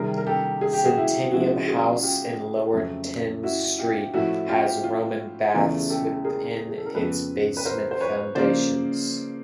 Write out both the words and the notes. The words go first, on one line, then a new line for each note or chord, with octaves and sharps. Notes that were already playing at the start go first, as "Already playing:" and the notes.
Centennium House in Lower Thames Street has Roman baths within its basement foundations.
Already playing: C3 D#3 G3 G#4 A#4
A#4
G4 A4
G#4
G4
F#4 G#4
E4
C#3 F3 G#3 E4 F#4
F#4 G#4
F4 G4
F2 C#3 F#3 A3
E4 F#4
F4 G4
A2 F3 A3 E4 F#4
F4 G4
F4
E2 C#3 E3 A3 F4
G4 A4
G#4 A#4
G#4
A4
A#4
F2 C#3 F3 G#3 B3 A4 B4
B4
A#4 C5
C5
B4 C#5
C#3 F3 A#3 C5 D5